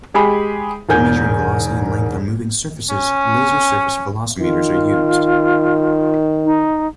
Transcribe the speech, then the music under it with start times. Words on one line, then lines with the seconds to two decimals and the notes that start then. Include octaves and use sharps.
For measuring velocity and length on moving surfaces, laser surface velocimeters are used.
0.14 G#3 G4 G#4 B5
0.89 E1 G#2 A#4 G#5 G6
2.90 C#4
4.39 D#3 F4
6.45 D#4